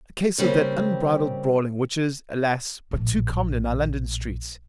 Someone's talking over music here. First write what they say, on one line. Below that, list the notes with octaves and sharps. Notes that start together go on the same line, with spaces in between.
'A case of that unbridled brawling which is, alas, but too common in our London streets.
C#3 G3 A#3 C4
A#1 A2